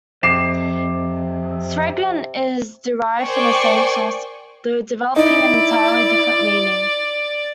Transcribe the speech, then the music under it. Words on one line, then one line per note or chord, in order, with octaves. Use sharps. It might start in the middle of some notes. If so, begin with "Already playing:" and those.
"Sergeant" is derived from the same source, though developing an entirely different meaning.
F2 C3 D6 C7 E7
A#4 C5 D5 G5 G#5 C#6
D#4 E4 D5